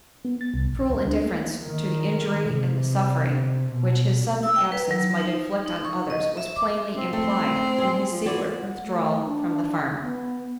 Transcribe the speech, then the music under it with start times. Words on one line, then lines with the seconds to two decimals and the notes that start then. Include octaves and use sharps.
Cruel indifference to the injury and the suffering which his sudden absence might inflict on others was plainly implied in his secret withdrawal from the farm.
0.25 B3
0.41 A6
0.54 C2
0.73 A#1
0.90 D2
1.08 D4
1.26 A#3
1.64 D#3
2.49 C3
3.71 B2
4.43 E6
4.56 G5
4.72 B4
4.91 F#3
5.18 D#4
5.66 D#4
5.85 C#6
6.10 D#5
6.37 E5
6.56 D6
6.97 C4
7.13 A3 C4
7.78 G#4
8.12 F3
8.26 E3 F#4 D5
8.60 F#5
8.84 A3
9.25 D4
10.02 B3